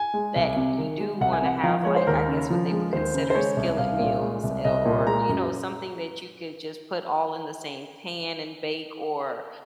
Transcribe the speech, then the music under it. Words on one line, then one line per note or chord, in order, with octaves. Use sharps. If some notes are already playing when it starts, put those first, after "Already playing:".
that you do wanna have, like, I guess what they would consider skillet meals, eh, or, you know, something that you could, just, put all in the same pan and bake or
Already playing: G#5
G#3
C2
C3
D#3
G#3
C2 F#5
G#5
C3 F#5
F3 F5
G#3 C#5
C5
D#2 A#4
C#3
F3
G#3
D#2 C5
C#3
C5
G#3 C#5
C2
C2 F5
A#2
G#3
C2
C2 D#5
A#2
G#3 A#5
F#2